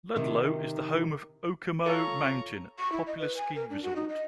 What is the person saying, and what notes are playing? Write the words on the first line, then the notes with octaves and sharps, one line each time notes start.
Ludlow is the home of Okemo Mountain, a popular ski resort.
C3 D#3
F4 A4 C#5 A#5 C#6
C#6
E4
D#5
B4
G#5
A#4
D4
F#4
D#4
D#5